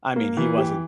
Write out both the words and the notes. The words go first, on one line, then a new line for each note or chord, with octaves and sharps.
I mean, he wasn't
A#3
E3
G4